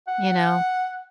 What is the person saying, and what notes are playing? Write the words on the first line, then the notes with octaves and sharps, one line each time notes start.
You know?
F#5